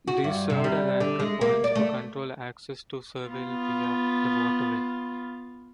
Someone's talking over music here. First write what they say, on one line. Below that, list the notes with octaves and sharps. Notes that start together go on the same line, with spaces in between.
These served as anchor points to control access to Seville via the waterway.
F#4
G2
C3
G3
D3
G#3
A#3
D5
A3
B3 F4